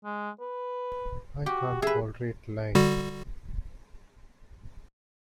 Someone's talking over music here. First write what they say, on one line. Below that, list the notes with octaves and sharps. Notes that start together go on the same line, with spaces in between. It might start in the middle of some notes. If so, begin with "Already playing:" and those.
I can't tolerate lying.
G#3
B4
F#4 G4
G#4 B4 E5
D3 G3 F#4